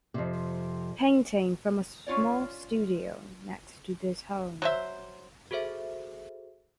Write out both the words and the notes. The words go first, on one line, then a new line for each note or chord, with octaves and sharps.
Painting from a small studio next to this home.
F2 C3
C#4 F4 C#5 D5
F#3 C5 E5
F#4 G#4 A4 C5 E5